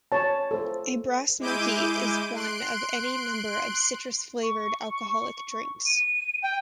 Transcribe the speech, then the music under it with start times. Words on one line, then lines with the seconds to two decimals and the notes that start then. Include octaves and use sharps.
A "brass monkey" is one of any number of citrus-flavored alcoholic drinks.
0.12 C#5 A5
0.51 A4 C5
1.39 G#3 E4 D6 G6 D7 D#7
2.35 C6 F#6 D7
4.42 C#6
5.86 D#7
6.43 G5